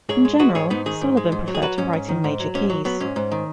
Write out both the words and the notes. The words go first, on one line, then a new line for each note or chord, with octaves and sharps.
In general, Sullivan preferred to write in major keys.
G#2 G#4 C#5
G#3
G#3 F#4 B4
G#2 G#4 C#5
G#2 B3 D#4
D#3 D#4 G#4
G#2
G#3
G#2
F#3
G#4
F#3 F#4 B4
G#2 C#4
G#2
D#3
G#2
F#3
G#2 C#4
F#3
F#3 B3
G#2 C#4
G#2
D#3